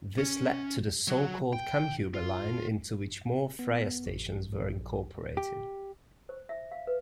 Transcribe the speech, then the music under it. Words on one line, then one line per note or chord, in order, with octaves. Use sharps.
This led to the so-called Kammhuber Line into which more "Freya" stations were incorporated.
C#4
F#3 F#4
G5
F4
B3
A1
A#1
G4
C5
E5
F5
B4